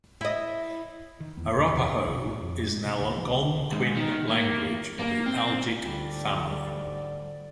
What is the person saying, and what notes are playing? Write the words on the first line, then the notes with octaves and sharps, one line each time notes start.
Arapaho is an Algonquian language of the Algic family.
E4 D#5
D#3
E2
E2
E2
B1
A2
F2
G#3
C3
D2
F3
C2
G#2
D#3
A#3
A#3
C4
D2 G#2 D3 G3 F4 D5 G5